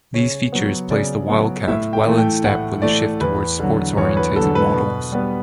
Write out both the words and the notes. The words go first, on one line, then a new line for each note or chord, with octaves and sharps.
These features placed the Wildcat well in step with the shift towards sports-oriented models.
C#3 C#5
F#3 B3
C#3 D5
F#3 B3
A2 E5
G5
E3 A3
G5
A2 F#5
E3 A3 D5
E2 B4
D3 F#3
E2 C#5
B4
D3 F#3 A4
B4
B2
G3 B3